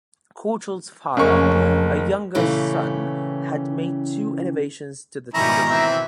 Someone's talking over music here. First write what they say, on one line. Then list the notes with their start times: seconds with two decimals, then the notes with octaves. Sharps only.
Courtauld's father, a younger son, had made two innovations to the tradition.
1.17 F#1 F2 A3 A#3 C#4 C#6
2.35 A#2 C#3 E3 A3 C#4 G4
5.34 G#2 B2 D#3 G3 C#4 E4 A#5
5.69 E3 C4 E5